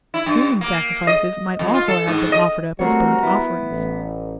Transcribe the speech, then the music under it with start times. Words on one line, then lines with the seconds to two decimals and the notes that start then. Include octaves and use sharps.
Human sacrifices might also have been offered up as burnt offerings.
0.14 E4
0.26 G2
0.61 A#3
1.07 D#5
1.59 F2
1.74 F4
1.88 A4
2.07 G#2
2.32 D#5
2.79 G3 A3 C4 F#4 A#4 C#5
3.23 B3 E4
3.70 A1